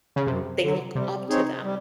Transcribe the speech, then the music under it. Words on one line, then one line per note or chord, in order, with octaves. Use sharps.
they look up to them
C#3
F#2 C3
D3 F#3
C3 G3
C4 D#4 G#4 C#5
G3